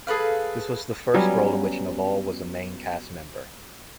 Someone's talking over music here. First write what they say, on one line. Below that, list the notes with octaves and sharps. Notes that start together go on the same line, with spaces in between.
This was the first role in which Neval was a main cast member.
G#4 A4 B4 F5
F#3 G3 B3 C#4